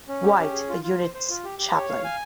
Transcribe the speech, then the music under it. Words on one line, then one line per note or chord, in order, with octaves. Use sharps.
White, the unit's Chaplain.
C#4
G4
C#4
G#4
F4
F4
C5
C5
F4
G4
G4
C#5
F5
G#5